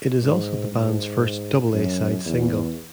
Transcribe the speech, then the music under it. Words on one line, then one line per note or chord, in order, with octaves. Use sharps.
It is also the band's first double A-side single.
G#2
G#2
F#2
E2